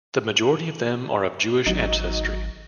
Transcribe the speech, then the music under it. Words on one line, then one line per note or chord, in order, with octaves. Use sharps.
The majority of them are of Jewish ancestry.
G#1 F#3 D#4